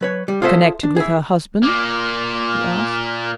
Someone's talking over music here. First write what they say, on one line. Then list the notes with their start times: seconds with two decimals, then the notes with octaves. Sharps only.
"Connected with her husband?" he asked.
0.01 F#3 B4 C#5
0.28 G3
0.42 F4 G#4 A4 C5 E5
0.83 D4
0.96 E4 G#4
1.63 A#2 A#3